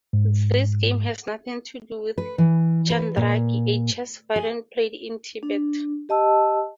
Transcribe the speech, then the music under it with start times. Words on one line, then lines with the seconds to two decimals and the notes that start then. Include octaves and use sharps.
This game has nothing to do with Chandraki, a chess variant played in Tibet.
0.13 G#2
2.18 B4
2.38 E3
2.90 B4
3.17 A#2
4.36 G#4
5.43 D4
6.09 G4 D#5 A5 E6